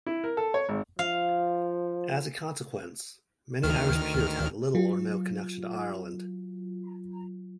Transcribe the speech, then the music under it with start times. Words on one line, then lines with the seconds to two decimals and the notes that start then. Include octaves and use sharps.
As a consequence, many Irish peers had little or no connection to Ireland.
0.06 E4
0.24 A#4
0.37 A4
0.54 C#5
0.69 G#1
0.99 F3 F5
3.63 D2 D#3 F6
4.75 F#3 F4